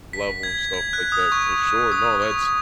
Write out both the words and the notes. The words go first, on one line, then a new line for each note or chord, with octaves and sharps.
level and stuff like that, for sure. No, that's
B6
G#6
G#6
F#6
D#6
C#6
D#6
C#6